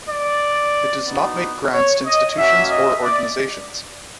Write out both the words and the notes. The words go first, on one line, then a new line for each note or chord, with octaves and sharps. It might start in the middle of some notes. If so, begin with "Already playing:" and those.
It does not make grants to institutions or organizations.
D5
B3 D#4 F#4
C#5
D#5
A#3 C#4 F#4 E5
D#5
D5